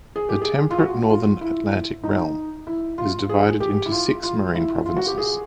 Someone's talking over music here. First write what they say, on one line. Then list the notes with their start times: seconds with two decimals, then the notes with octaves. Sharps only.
The Temperate Northern Atlantic realm is divided into six marine provinces.
0.16 G#4
0.29 G4
0.42 G#4
0.71 F4
0.78 F#4
1.10 F4
1.41 E4
2.04 D#4
2.67 E4
2.98 F4
3.29 G#4
3.60 G4
3.86 E4
3.92 F4
4.23 F4
4.55 E4
4.86 F4
4.97 F#4
5.07 G4
5.18 G#4